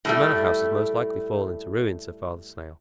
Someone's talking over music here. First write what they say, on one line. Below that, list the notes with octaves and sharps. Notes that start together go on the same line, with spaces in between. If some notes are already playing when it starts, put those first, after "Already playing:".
"The manor-house has most likely fallen to ruin!" said Father Snail.
A2 G3 A3